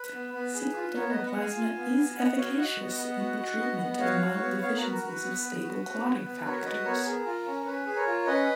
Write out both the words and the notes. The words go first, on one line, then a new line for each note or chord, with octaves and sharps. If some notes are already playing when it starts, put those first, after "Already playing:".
Single-donor plasma is efficacious in the treatment of mild deficiencies of stable clotting factors.
Already playing: B4
B3
B3 B4
G#4
F4
B3 A#4 C#5
B4 D#5
B3
D#5 F#5
G#4
F5 G#5
F4
B3
B3
B3 D#5 F#5
F#4 C#5 F5
F#4 D#5 F#5
B3
B3
F#4
F#4
B3
B3
F#4 C#5 F5
F#4
B3
B3 C#5 F5
F#4 A#4
A#4
F#4
B4
B3
B3
F#4
F#4
B3
B3
F#4 A#4 C#5
F#4 B4 D#5
B3 A#4 C#5
G#4 A#4
F4
C#4
C#4 B4
G#4
A#4 C#5
F4
C#4 B4 D#5